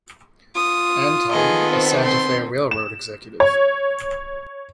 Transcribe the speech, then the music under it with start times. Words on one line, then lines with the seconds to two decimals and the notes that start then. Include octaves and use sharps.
Anton, a Santa Fe railroad executive.
0.56 F4 D#6
1.32 D#3 B3 G#4 A4 D#5
1.71 C4
2.05 C4 C6
2.71 E7
3.40 C#5